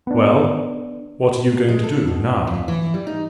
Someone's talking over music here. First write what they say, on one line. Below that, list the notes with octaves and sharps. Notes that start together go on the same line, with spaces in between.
"Well, what are you going to do now?"
B3 D4
G#3
A4
B2
F2
E3
G3
D#4